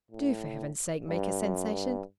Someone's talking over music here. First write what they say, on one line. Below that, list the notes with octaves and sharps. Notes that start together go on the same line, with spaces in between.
Do for Heaven's sake make a sensation.
A2
G2
F#2
G2